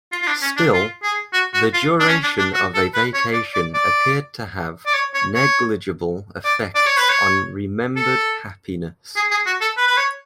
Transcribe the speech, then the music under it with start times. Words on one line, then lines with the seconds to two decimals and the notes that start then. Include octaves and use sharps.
Still, the duration of a vacation appeared to have negligible effects on remembered happiness.
0.12 F4
0.22 F4
0.27 D4
0.42 C#4
0.57 D4
0.73 F4
1.03 G#4
1.33 F#4
1.54 F#4
1.74 F4
2.00 D4
2.08 C#4
2.23 D4
2.39 D4
2.54 F#4
2.74 A4
2.94 B4
3.14 C#5
3.33 D5
3.54 D5
3.74 D5
4.86 D5
4.94 C#5
5.14 C#5
5.35 C#5
6.45 D5
6.75 D5
6.87 C#5
6.97 B4
7.09 C#5
7.96 A4
9.17 G#4
9.31 G#4
9.46 F#4
9.61 A4
9.77 B4
9.87 B4
9.97 C#5